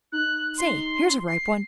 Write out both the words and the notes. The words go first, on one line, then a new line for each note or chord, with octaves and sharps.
Say--here's a ripe one.
D#4 F#6
C6
C7